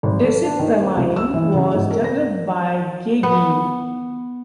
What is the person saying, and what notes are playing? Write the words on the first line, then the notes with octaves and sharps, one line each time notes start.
Desipramine was developed by Geigy.
G#1
A4
D4
D#3
C4
C#2
E6
E3
C#3
G#2
A#4
A#6
B3